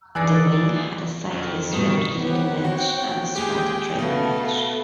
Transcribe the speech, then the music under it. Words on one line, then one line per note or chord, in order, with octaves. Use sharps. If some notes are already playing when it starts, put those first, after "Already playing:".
The wing had a slightly swept leading edge and a straight trailing edge.
E3 D#4 G#4 B4 D5 G#5 E6 F#6
F2
G2 B2 D#3
B3 C4 G4 C#5 F#5
F#4 G5
D#2 G#3 G4 G#4 G5
B2 A3 B3 A4 F5